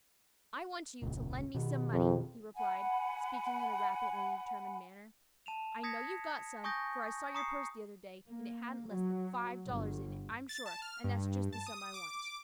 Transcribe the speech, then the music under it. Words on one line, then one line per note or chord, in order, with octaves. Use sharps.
"I want you to lend me some money," he replied, speaking in a rapid and determined manner; "I know you've got some, for I saw your purse the other day, and it hadn't less than five dollars in it, I'm sure, and that's just the sum I want."
E1 C#2 A#2
B2 D#3
F2
F#5 G#5 B5
A5 E7 F7
D#6 G#6 A#6 B6 C#7
G#5 C#6 D#6 G6 A#6
A#5 C#6 D#6 C7 C#7
A#3
F#3
G1
A6
A5
F6
G2
A5
D#6
D6